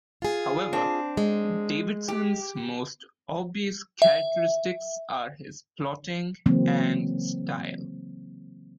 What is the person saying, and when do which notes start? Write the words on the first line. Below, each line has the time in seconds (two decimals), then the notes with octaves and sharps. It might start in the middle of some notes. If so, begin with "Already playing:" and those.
However, Davidson's most obvious characteristics are his plotting and style.
0.22 F4 G#4
0.73 C4 D4
1.17 G#3
2.08 G4
4.02 E5
6.46 C#3 E3 F#3 A#3 C4